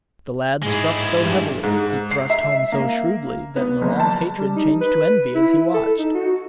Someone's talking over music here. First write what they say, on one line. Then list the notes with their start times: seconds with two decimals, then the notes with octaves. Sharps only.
The lad struck so heavily, he thrust home so shrewdly, that Milon's hatred changed to envy as he watched.
0.62 G#2 G#3 E4 G#4
1.19 G2
1.63 G#2
2.11 C7
2.30 E5
2.72 A#3
3.56 B3
3.81 F#1
4.00 A5
4.37 G3
4.56 D#4
4.81 B4
5.35 E4
5.74 A4
5.98 D#4
6.14 F#4